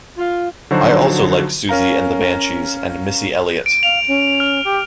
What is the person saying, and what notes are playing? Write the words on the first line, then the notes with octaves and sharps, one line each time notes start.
I also like Siouxsie and The Banshees and Missy Elliott.
F4
D3 F3 F#3 D#4 F#4 C5
C#4 A#4 F5 A#5
D7
F5 F7
C#4
F6
G4